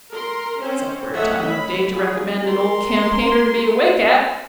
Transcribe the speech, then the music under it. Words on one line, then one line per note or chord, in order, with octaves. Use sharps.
That's a queer time of day to recommend an old campaigner to be awake at!
A#4 C6
C4 C#4 C5
A3 A4 C#5 D#5 E5 F#5
B5
F4 G#4
A#4 C6